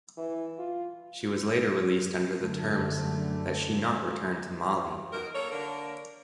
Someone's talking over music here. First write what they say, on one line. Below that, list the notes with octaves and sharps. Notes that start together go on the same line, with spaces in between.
She was later released under the terms that she not return to Mali.
E3
F4
F#1 F#2 D3 A3
B2 D#4 A#4
A#3 A4 A#4 C#5
D3 A#3 D4 A#4